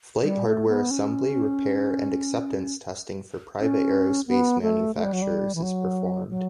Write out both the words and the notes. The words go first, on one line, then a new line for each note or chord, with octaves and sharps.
Flight hardware assembly, repair, and acceptance testing for private aerospace manufacturers is performed.
G3
A3
B3
C#4
C#4
B3
A3
A3
G3
F#3
G3
E3
F#3
F#3